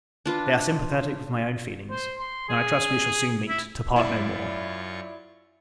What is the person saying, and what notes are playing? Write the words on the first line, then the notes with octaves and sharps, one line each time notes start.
They are sympathetic with my own feelings; and, I trust, we shall soon meet, to part no more!
D4 F4 B4
C5
C6
G#4
E4
F#2 E4 F4 D5 E5 C#6